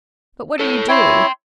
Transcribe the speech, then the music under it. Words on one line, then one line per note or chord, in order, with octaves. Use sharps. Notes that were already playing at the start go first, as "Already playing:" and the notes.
But what are you doing?
A4 C#5
E4 C#5 G5 C6